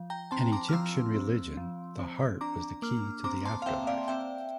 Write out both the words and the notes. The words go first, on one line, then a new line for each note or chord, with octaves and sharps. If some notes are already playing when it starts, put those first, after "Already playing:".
In Egyptian religion, the heart was the key to the afterlife.
Already playing: F3
G5 A#5
C4 A5 C6
A#5 D6
F6
F3 C6 E6
C4
F3
C4
D4 A#5 D6
A#3 D6 F6
C4 A#5 D6
A5 C6
F5
C4 E5 G5
D5 F5
C4 E5 G5